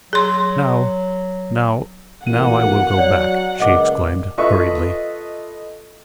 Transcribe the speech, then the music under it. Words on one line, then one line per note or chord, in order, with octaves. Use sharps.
"Now--now--now I will go back," she exclaimed, hurriedly.
F#3 G#4 C6
A1 B2 A#3 F#5 D#7
F#3 C#5 D5
C#2 A#2 D#5 F#5 D6
F4 A4 B4 D#5 E5 C#6